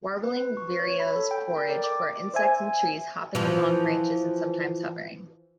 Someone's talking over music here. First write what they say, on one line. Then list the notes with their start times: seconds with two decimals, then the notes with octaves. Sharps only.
Warbling vireos forage for insects in trees, hopping along branches and sometimes hovering.
0.23 B4
0.57 C#6
0.79 C#5
1.00 B5
1.16 A4
1.31 G5
1.57 A#4
1.70 D5
1.84 D6
2.34 C5 E5 G#5
3.35 E3 F3